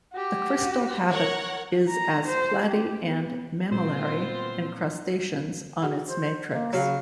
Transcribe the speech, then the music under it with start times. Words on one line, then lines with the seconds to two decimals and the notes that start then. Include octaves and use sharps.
The crystal habit is as platy and mammillary encrustations on its matrix.
0.13 F#4 G4
1.10 A#4 C#5 F#5
1.89 A#5
2.29 C5
2.66 G4
3.05 B3
3.72 A#2 B3 C4 F4 C5
5.82 F#4 G#4 F#5
6.07 C5
6.51 A#3 D#5
6.73 C#3 F#3 F5